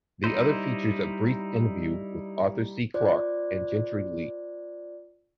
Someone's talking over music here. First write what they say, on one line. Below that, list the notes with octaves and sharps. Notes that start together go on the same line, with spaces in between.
The other features a brief interview with Arthur C. Clarke and Gentry Lee.
G3 D#4 E4 C5
F4 C5 D5